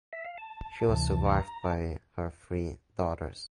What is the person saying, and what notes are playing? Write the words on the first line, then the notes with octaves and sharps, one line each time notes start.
She was survived by her Three daughters.
E5
F5
A5
D2 C3 E3
A#5
A5